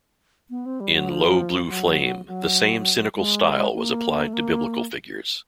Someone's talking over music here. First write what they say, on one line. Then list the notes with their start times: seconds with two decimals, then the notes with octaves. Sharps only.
In "Low Blue Flame", the same cynical style was applied to biblical figures.
0.50 B3
0.66 C4
0.80 G3
0.95 F#3
1.09 F3
1.69 F#3
2.28 F#3
3.15 G#3
3.74 A#3
4.28 A3
4.33 A#3